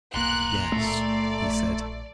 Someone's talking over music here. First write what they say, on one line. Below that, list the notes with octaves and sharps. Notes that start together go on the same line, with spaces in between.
"Yes," he said.
E1 B1 A#3 A#5 C6 F#6
C#2 A#2 A3 D5
A#1